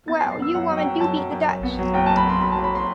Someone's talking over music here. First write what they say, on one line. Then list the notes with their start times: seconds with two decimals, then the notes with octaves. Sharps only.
Well, you women do beat the Dutch.
0.08 B3 A6
0.19 C7
0.23 F#2
0.32 C7
0.39 B3 E6
0.54 F#2 F#5
0.70 F#3
0.77 G5
0.85 F#3
1.00 F#2 A5
1.17 F#2
1.31 F#2
1.48 F#2
1.63 B3
1.79 F#3
1.94 F#1 G5
2.06 A5
2.10 F#2
2.17 B5
2.24 F#1 C6
2.41 F#1 B5
2.52 A5
2.56 F#3
2.64 B5
2.75 C6